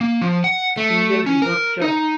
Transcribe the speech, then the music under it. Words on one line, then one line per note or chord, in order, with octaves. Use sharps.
The single did not chart.
A#3
F3
F#5
A3
C#4
A#4
D#4